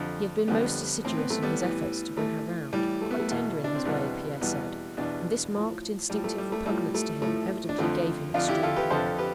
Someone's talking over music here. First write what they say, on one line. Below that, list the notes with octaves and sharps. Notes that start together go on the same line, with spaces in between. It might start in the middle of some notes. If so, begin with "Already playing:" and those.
He had been most assiduous in his efforts to bring her round; quite tender in his way, Pierre said; and this marked, instinctive repugnance to him evidently gave him extreme pain.
Already playing: F2 D3 F3
F2 D3 F3 G3 B3
A2 E3 C4
B3
A3
G3 B3
A2 E3
A2 E3 A3
A2 E3 G3
A3
B3
A3
E2 B2
D4
C4
E2 B2 G3 B3
E2 B2 G3 B3
E2 B2 B3 D4
A2 F3
A2 F3 G3
A3
G3
A3
A2 F3 G3
A3
A2 F3 A3
D4
F2 D3 F3 A3 C4
F2 D3 F3 D4 F4
E4 G4
F4 A4
G4 B4
F2 D3 F3 A4 C5
G4 B4